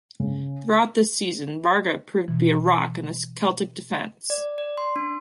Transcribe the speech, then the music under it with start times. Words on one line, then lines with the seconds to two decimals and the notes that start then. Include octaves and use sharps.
Throughout this season Varga proved to be a rock in the Celtic defence.
0.20 C#3
2.28 B2 E3
4.30 D5
4.58 D5
4.78 C6
4.96 D4